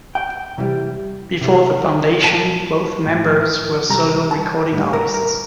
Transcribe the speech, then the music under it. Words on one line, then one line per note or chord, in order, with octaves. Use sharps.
Before the foundation, both members were solo recording artists.
G5
C3 E3 G3
C3 E3 G3
A#2 F3 A5
A2 F3
C3 G3 A#5
A5
A2 G3
A#4
A#4